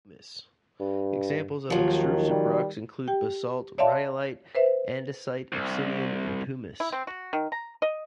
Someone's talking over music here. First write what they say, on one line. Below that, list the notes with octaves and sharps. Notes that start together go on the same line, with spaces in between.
Examples of extrusive rocks include basalt, rhyolite, andesite, obsidian and pumice.
G2
D#2 D#3 F3 F#3
G3
G4 G5
C#5 D5 E5 F5 A5 C6
B4 C5 E5
C2
E4
C4
F#4
D#3
A#5
D#5